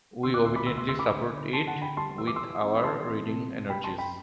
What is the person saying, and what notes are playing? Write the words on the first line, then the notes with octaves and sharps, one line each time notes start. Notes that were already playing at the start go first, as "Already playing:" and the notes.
We obediently support it with our reading energies.
D3 C6 E6
D6 F#6
D2 C6 E6
B5 D6
D2 C6 E6
C6 E6
D2 C6 E6
B5 D6
D3
D3
D3 A5 C6
F#5 A5
D3
G5 B5
G3 A5 C6
E3 E6
D6
E3 C6 E6
C4
B5
E3 A5 C6
C4
C3
C3
G3 G5 B5
A5 C6
F#2
G5 B5